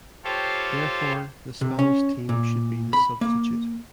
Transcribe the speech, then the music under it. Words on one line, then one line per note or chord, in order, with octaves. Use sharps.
Therefore the Spanish team should be the substitute.
F4 G4 A4 C5 C#5 F5
C3
C#4
A#2
B5
A#3